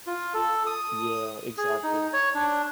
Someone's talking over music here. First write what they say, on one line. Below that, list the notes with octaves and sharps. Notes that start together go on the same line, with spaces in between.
Yeah, exactly.
F4
A4
D#6
G#4
D#4
C#5
D4